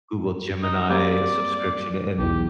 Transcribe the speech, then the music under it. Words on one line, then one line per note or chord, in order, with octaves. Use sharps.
Google Gemini subscription, and
D#4
G3 A#3 C4 D5
B1 E2 G4